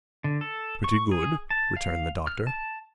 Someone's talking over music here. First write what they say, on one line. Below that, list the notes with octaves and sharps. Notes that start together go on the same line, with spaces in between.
"Pretty good," returned the Doctor.
D3
A4
C#6
G#4
A5
F5
F6
A5